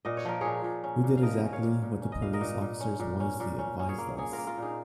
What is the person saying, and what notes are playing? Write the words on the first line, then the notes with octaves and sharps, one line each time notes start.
We did exactly what the police officers wisely advised us.
A#2 D#5
C#5
F3 A#4
A#2 G#4 C#5
A#2
C#4
A#2
F5
F3 A#4 D#5
C#4
C#5 F5
A#2
A#2
C#4
D#5
A#2 F5
A#4 D#5
A#2
A#2
C#4
A#2
C#4
A#2
C#4
C#4
G#4 C#5
A#3
A#3 G#4 C#5
F4 A#4
A#3
F4 A#4
A#2 D#4 G#4